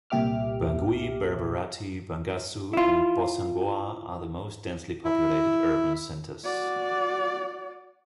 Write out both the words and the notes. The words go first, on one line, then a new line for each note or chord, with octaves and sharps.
Bangui, Berberati, Bangassou, and Bossangoa are the most densely populated urban centers.
C2 A#2 G4 E5 D6 F6
E4 F4
E4
F#4 D5